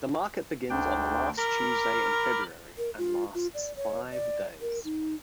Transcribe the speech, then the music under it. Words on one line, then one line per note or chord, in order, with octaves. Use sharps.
The market begins on the last Tuesday in February and lasts five days.
D2 D4 G5
A#4 B5 D6 F6
A#4
F4
F4
D5
C#5
D5
A#4
D#4